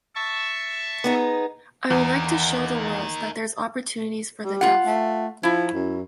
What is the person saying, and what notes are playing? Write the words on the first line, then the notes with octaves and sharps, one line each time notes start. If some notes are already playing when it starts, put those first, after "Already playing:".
I would like to show the world that there's opportunities for the deaf.
E5 A5 C#6
B3 D#4 G#4
E2 A#3 D#4
G3
F4 F#5
A3
F3 E4
F#2